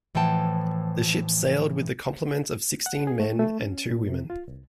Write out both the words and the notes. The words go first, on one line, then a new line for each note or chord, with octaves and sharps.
The ship sailed with a complement of sixteen men and two women.
A2 E3 F3 F#5 G5 A5
F#5
G#4
A3
A3
C#4
A#2
C3
F4
C2